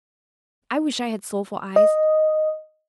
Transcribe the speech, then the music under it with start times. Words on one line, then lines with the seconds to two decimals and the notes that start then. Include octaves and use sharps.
I wish I had soulful eyes.
1.76 D#5